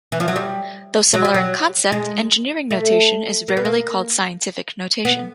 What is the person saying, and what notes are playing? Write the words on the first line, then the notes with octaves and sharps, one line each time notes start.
Though similar in concept, engineering notation is rarely called scientific notation.
E3
F3
F#3
G3
F#3
G3
F#3
G#3
A3
A#3
B3
A#3
B3